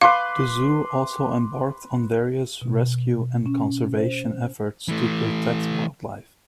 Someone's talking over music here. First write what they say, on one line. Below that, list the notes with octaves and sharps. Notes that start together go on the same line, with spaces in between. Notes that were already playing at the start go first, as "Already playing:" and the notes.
The zoo also embarked on various rescue and conservation efforts to protect wildlife.
B4 F5 C6 D6
B2
C#4
C5
E3 A3